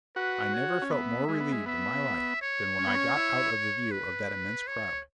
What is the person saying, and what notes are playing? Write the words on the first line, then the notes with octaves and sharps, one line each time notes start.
I never felt more relieved in my life than when I got out of the view of that immense crowd.
F#4 B4
C#5
C#4
B3 E5
G#3
B3
G#3
B3 E5
C#5
C#4
B3
C#4
E4
B4
C#5